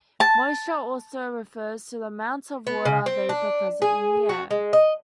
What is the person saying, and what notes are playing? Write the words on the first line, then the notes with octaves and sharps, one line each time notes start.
Moisture also refers to the amount of water vapour present in the air.
A5
B3
C#3
C4
D4
G#4
F#4
G#3
D#5